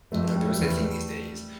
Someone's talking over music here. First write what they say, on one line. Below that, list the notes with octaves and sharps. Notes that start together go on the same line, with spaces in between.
now there's a thing these days
F2 A3
A3
G3
A3
E2 G3
A3